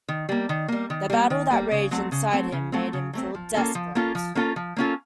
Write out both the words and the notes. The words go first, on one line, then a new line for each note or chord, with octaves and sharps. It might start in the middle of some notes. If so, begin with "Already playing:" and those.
The battle that raged inside him made him feel desperate.
D#3
G3 A#3
D#3
G3 A#3
D#3
G3 A#3
D#3
G3 A#3
C#3
F#3 A3 C4
C#3
F#3 A3 C4
C#3
F#3 A3 C4
C#3
F#3 A3 C4
F3
A#3 C#4 F4 A4
F3
A#3 C#4 F4 A4
F3
A#3 C#4 F4 A4
F3
A#3 C#4 F4 A4